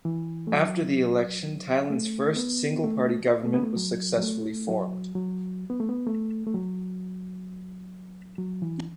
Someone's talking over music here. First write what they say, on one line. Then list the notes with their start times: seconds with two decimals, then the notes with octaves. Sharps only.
After the election, Thailand's first single party government was successfully formed.
0.05 E3
0.47 A3
0.52 F#3
1.90 A3
2.36 B3
2.84 A3
3.46 A3
3.54 B3
3.63 A3
3.76 F#3
4.18 F#3
4.23 A3
4.68 F#3
5.15 F#3
5.70 B3
5.80 A3
5.89 B3
6.07 A3
6.47 A3
6.54 F#3
8.38 F#3
8.62 E3